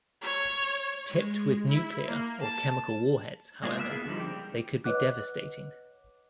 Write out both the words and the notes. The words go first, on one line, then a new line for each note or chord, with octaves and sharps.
Tipped with nuclear or chemical warheads, however, they could be devastating.
C#5
G#3
E4
A#3
A5
G#3 A#3 F4 G#4 G#5
A#3 B4 E5 F6
B3 E4 G#4 E5
D3 F3 G3 D#4
C4 G4
B4 C#5 D#5 F#5 D6 F#6